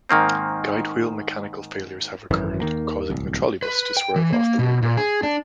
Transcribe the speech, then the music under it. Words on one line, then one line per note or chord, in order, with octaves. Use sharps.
Guidewheel mechanical failures have occurred, causing the trolleybus to swerve off the roadway.
G#2 D#3 A#3 C4
G#1 F#2 E3
D#2 D#3 A#3
D1 C2
B4
G5
E3
A#3
B2
A#2
G#4
D4